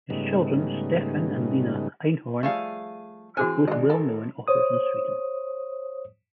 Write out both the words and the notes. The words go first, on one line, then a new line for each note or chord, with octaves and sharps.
His children, Stefan and Lena Einhorn, are both well-known authors in Sweden.
G#2 C#3 G3 A3 B3 D#4
F3 G3 A3 G#4 F5
E3 C4 F#4 G#4 C5 G#5 E6
G#1 D4 D#5
A4 A#4
C5 C#5 D#6